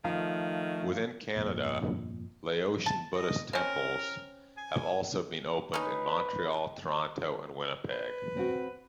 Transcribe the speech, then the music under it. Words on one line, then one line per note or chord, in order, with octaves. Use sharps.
Within Canada, Laotian Buddhist temples have also been opened in Montreal, Toronto, and Winnipeg.
D#3 F3 A3 F5
G1 F2 A#2
A5
D#5
C4 C#4 A#4
G#5
C#4 D#4 B4
B4
C4 F#4